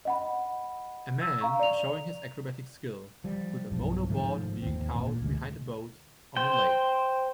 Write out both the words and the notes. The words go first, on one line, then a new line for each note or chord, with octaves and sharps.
A man showing his acrobatic skill with a monoboard being towed behind a boat on a lake.
D#5 F#5 B5
E6
F5 A#5 C#6
D5 F7
F3 G3
B1 G2 F3
G#2 D#3 F3 A3
D#2 C4
G#1 A#2
D2 G#3
C5 G5